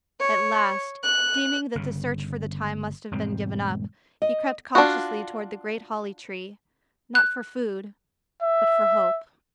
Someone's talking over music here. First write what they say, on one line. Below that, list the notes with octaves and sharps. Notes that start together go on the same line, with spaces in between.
At last, deeming that the search for the time must have been given up, he crept cautiously toward the great holly tree, not for food, but for hope.
C#5
F#6
G1 C#3
E1 G#2 G3 C4
D#5
D4 F4 F#4
F#6
E5